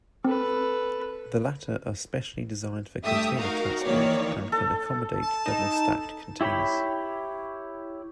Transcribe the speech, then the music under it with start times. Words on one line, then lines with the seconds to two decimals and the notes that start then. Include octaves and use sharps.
The latter are specially designed for container transport, and can accommodate double-stacked containers.
0.25 C4 A4 B4
3.04 G2 A3 G4 E5 D#6
3.39 D#4 F#4 A#4 F5 A#5
3.82 D#3 E3 A#3 C#5 D5
4.52 A4
5.22 A5
5.44 D#4 E7
6.41 E4 G4 C#5 G5 B5